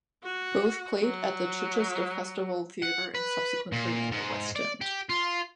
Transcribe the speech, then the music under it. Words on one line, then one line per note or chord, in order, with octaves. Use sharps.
Both played at the Chichester Festival Theatre and subsequently in the West End.
F#4
F#3
F#5
B4
A#2
G#2
D5
G4
F4